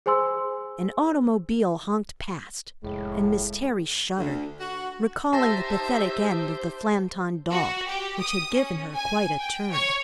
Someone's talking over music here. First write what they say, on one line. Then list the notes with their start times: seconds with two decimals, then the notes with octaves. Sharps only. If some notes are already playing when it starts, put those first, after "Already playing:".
An automobile honked past, and Miss Terry shuddered, recalling the pathetic end of the Flanton Dog, which had given her quite a turn.
0.06 G#4 C5 G#5 C6 E6
2.83 F1 A2 G#3
4.18 D2
4.59 F#4
5.33 D#4 G4 C5 E5 A5 A#6
7.51 F#4
7.88 G4
8.20 D#6
8.55 C#4
8.94 G#5
9.39 G5
9.71 C#5